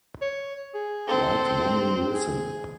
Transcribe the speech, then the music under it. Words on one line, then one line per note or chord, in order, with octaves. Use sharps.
White Woman Listen!
C#5
G#4
C4 A4
G#4